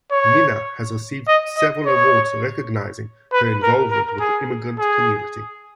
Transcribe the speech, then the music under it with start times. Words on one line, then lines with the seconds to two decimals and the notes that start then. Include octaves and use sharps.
Minna has received several awards recognizing her involvement with the immigrant community.
0.11 C#5
1.28 D#5
1.58 D#5
1.86 C#5
3.32 B4
3.63 A#4
3.91 A#4
4.20 G#4
4.79 G#4